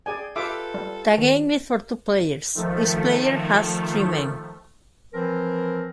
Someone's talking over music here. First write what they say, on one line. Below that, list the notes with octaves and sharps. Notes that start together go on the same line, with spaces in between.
The game is for two players; each player has three men.
G#4 D5 G5 G#5
F4 G4 A4 B4 E5 D6
G3
D#3
D#3 F3 A3
E3 F3 C4 A#4